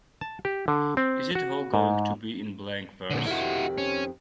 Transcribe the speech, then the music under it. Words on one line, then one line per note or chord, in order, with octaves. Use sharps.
Is it all going to be in blank verse?
A5
G4
D3
C4
F#4
G#2
A#2 D3
F2 C3 D#3 E4 F#4
C#4